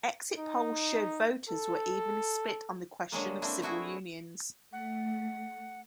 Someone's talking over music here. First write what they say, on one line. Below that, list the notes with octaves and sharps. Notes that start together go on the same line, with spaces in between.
Exit polls showed voters were evenly split on the question of civil unions.
D#4
A4
D3 F#3 G#3 A#3
A3 A#3 C4 D4 E4
A3 E4 F#4 G#4
A3 F#5